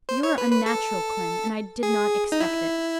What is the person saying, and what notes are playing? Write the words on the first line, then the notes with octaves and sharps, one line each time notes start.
"You are unnatural, Clym, and I did not expect it."
C5
C#5
B4
B4
A4
G#4
D#4
E4